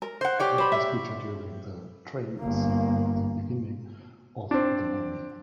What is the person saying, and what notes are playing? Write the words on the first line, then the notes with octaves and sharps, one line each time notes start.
It was featured during the train scene in the beginning of the movie.
A#4
C5 F#5
G4 C#5 D5
C5 B5
E5
G1 A#3
C4 D4